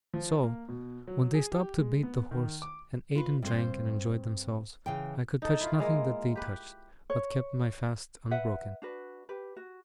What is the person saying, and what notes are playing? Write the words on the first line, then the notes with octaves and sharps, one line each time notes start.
So, when they stopped to bait the horse, and ate and drank and enjoyed themselves, I could touch nothing that they touched, but kept my fast unbroken.
F3
A#3
B2
F#3
G#4
G4
G#3
B3
D#3
D6
F4 B4
G2 C4 C5
C#3 E3 G5
D#4 A4
E4 F4
G#3 A#3
G4 B4
C#5
B4 E5 F#5
D4 F#4 B4
G4 B4
F#4